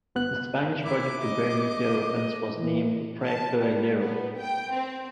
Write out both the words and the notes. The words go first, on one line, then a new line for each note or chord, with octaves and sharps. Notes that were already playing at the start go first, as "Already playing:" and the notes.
The Spanish project to build nuclear weapons was named Proyecto Islero.
G1 B3 F#6
A1 E4 D6
D#5
E3
A5
G3
B3
G5
C4